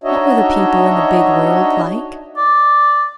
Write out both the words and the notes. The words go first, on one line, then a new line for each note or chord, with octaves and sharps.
What were the people in the big world like?
D4 D#4 F#4 C#5 D#5 E5
D5